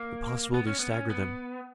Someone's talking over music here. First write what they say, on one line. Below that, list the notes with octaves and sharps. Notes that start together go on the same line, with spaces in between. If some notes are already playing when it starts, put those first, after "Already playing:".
The possibility staggered them.
Already playing: A#3
B3
C#4
B3
C#4
B3